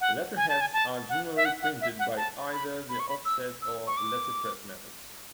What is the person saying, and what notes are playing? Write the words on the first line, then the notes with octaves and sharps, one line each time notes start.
Letterheads are generally printed by either the offset or letterpress methods.
F#5
G#5
A5
G#5
A5
F#5
E5
F#5
F#5
E5
F#5
A5
B5
B5
C#6
B5
E6
E6
C#6
D6